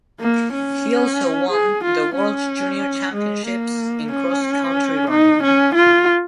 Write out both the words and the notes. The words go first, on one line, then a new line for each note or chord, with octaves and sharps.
He also won the World Junior Championships in cross country running.
A#3
C#4
G#4
F4
C#4
G#3
A#3
C#4
D#4
C#4
F4